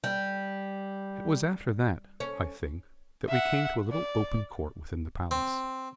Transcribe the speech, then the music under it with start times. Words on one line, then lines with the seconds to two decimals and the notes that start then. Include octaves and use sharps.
'It was after that, I think, that we came to a little open court within the palace.
0.04 G3
2.20 C#4
3.28 E5 F#5
3.91 D5
5.31 C4